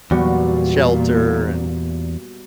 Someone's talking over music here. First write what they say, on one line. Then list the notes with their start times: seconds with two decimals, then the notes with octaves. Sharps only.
shelter, and,
0.11 E2 A#2 G3 B3 F#4